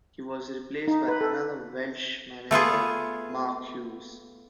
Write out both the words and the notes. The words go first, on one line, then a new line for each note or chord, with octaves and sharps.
He was replaced by another Welsh manager, Mark Hughes.
D#4
B4
A4
A3 B3 F4 G#4